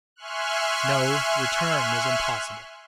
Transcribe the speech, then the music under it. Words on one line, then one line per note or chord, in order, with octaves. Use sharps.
No; return was impossible.
E5 G#5 C6 C#6 F6 F#6